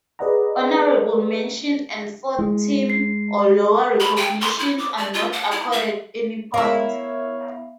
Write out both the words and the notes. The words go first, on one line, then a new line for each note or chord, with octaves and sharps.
Honorable mention and fourth team or lower recognitions are not accorded any points.
G#4 B4 D5 D#5 F#5 A#5
G#3 E4
C7
B5
G5
C6
E4
D6
D5
F4
F#5
E4
E5
B3 E4 A#4 C#5 E5 F5